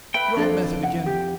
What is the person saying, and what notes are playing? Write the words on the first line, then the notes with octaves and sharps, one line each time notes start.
Your old method again.
B4 E5 G5 B5
F2 D4 A4 C5
F#5
G4